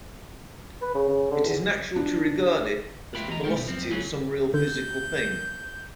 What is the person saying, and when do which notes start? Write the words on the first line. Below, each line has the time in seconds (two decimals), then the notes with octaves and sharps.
It is natural to regard it as the velocity of some real physical thing.
0.82 B4
0.95 C#3
1.09 C#3
1.31 D3
1.45 E2
1.96 D4
3.15 F4 B4 E5 F5 G5 B5
3.29 E3 D#5 A#5
3.44 G#3 A3 F4 C5 D5
3.56 B2 G3
3.68 F#2 F3 C4
3.91 C#3 F#3 C#4 F4 G#4
4.54 D3 G6